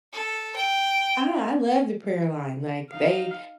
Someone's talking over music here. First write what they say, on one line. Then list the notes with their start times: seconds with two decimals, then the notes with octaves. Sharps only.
I I love the prayer line, like, they,
0.13 A4
0.55 G5
2.90 D#4 F5